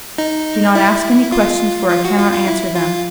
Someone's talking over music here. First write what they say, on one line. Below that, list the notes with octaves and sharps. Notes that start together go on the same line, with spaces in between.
Do not ask any questions, for I cannot answer them.
D#4
E4
F4
F4
F#4
F4
F4
E4
F4